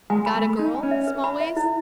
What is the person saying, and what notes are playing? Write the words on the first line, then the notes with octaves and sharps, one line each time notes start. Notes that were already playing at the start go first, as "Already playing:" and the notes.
"Got a girl, Smallways?"
G#3 G#5
B5
A3
B5
D#4 B5
G#5
C#4
E5
B4
B5
E5
E4